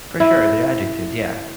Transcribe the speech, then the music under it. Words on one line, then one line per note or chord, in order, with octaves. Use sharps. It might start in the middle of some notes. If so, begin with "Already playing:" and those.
For sure, they're adjectives, yeah.
E4